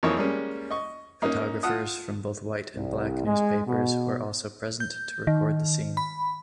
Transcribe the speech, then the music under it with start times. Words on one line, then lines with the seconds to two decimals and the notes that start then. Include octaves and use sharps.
Photographers from both white and Black newspapers were also present to record the scene.
0.03 F2 E3 F3 A#3 D#4 C#5
0.17 G3 G#3 A#3 C#4
0.71 D#5 C#6
1.22 A#3 C#4 D#4
1.63 F4 F#5 A5 D#6
2.75 C2
3.26 G#3
3.67 B2
4.80 G6
5.27 D#3
5.97 B5